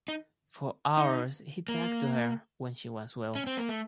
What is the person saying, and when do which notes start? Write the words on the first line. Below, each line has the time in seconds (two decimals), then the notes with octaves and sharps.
For hours he talked to her, when she was well.
0.08 D#4
0.98 D#4
1.68 A#3
3.35 C#4
3.47 C4
3.57 A#3
3.69 A3